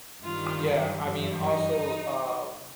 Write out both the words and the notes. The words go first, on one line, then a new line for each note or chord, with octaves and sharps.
Yeah, I mean, also, um
G2 D#3 G3 F4
G2 E3 G3
D#4